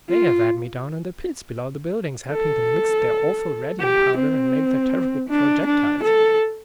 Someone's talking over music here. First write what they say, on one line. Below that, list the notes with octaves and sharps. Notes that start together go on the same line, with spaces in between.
They have had me down in the pits below the buildings helping them mix their awful radium powder, and make their terrible projectiles.
F4
A4
G4
C4
D4
D4
A4